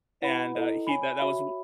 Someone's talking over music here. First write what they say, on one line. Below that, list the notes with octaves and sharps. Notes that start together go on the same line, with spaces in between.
and, uh, he that that was wo
E4 B4 F#5 B5
E4 A4 D#5
C#5 G#5 B5
F#4 C#5 E5 B5